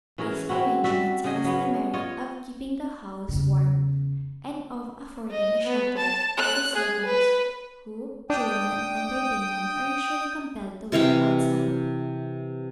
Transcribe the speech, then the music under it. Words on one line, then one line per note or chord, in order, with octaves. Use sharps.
This arrangement has the merit of keeping the house warm and of affording a shelter to the servants who, during an entertainment, are usually compelled to wait outside.
E3 C#4 G#4 A#4
C4 C#4 E4 F#4
G3 F#4 E5
C#3 G#4 D#5
F#3 B3 C#4
F4 C#5 D#5
E2 C#3
D#5
B3
A5
F#6
G#4
B4
D4 G5 D#6
C3 E3 F5 G5